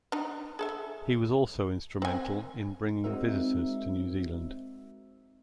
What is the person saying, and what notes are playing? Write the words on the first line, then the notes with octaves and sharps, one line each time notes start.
He was also instrumental in bringing visitors to New Zealand.
D4 D#4
G#4 A4 E5
C4 G#5
G#3 C4 D#4 F#4 A#4 E5